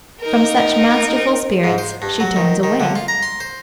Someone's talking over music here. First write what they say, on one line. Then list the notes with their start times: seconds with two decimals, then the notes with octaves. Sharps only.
From such masterful spirits she turns away.
0.21 D#4 A#4
1.64 G#2
1.78 C5
2.02 G2
2.20 F#3
2.36 D#3
2.63 D#3
2.80 D3
2.96 F4
3.08 A#5
3.23 C6
3.40 C5